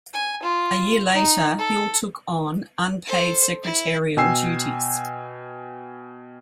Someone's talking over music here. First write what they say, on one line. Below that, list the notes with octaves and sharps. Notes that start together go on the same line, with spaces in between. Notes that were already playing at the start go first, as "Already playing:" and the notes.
A year later Hill took on unpaid secretarial duties.
G#5
F4
D#4
A4
A4 C5
E4
B2 G5 G#5 E6 C7